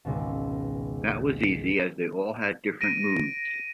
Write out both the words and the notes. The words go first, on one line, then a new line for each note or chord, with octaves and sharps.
That was easy, as they all had different moods.
G#1 C#2 B2
A#6 D7 D#7